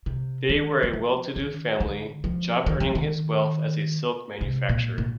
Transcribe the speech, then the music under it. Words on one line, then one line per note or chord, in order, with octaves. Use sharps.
They were a well-to-do family, Job earning his wealth as a silk manufacturer.
C3
D#3
D#3
F3
D#3
D3
F3
D#3
F3
D#3
C3
A#2
A#2